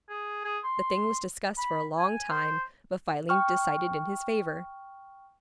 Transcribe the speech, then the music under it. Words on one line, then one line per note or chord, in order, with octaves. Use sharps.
The thing was discussed for a long time, but finally decided in his favor.
G#4
G#4
C6
B5
G#5
C5
G5 C#6 F6